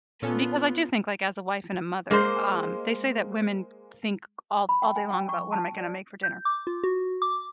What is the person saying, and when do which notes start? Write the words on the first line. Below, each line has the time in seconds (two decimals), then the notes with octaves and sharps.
because I do think, like, as a wife and a mother, um, they say that women think all all day long about what am I gonna make for dinner.
0.22 A#2 B3 C#4 F4 A4
2.11 G#3 A#3 C5
4.69 B5
4.82 G5
4.96 G#5
5.11 G5
5.29 C#6
5.53 A5
5.77 D5
6.23 G6
6.45 D6
6.67 F4
6.84 F#4
7.22 D6